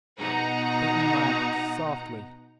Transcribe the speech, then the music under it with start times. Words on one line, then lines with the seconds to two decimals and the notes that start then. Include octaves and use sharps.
Breton laughed softly.
0.17 B2 D#4 F#5 A#5